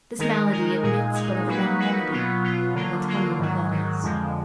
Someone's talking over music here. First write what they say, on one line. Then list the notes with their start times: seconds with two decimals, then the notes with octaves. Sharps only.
This malady admits but of one remedy; I will tell you what that is.
0.19 D#3 G#3 D#4 A#4
0.52 D#3 G#3 D#4 A#4
0.83 A#2 G#3 D#4 G#4
1.15 A#2 G#3 D#4 G#4
1.47 F#3 A#3 D#4 F#4 B4
1.79 F#3 A#3 D#4 F#4 B4
2.11 B2 F#3 B3 F4
2.43 B2 F#3 B3 F4
2.75 D3 F#3 A#3 F4
3.07 D3 F#3 A#3 F4
3.40 G#2 D#3 F#3
3.71 G#2 D#3 F#3
4.03 F2 D3 F3 G#3